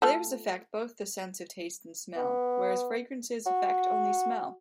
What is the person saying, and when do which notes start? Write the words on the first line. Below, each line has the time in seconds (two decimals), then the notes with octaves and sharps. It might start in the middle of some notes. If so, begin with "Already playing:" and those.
Flavors affect both the sense of taste and smell, whereas fragrances affect only smell.
0.02 A3 F4 A4
2.16 B3
3.46 F#4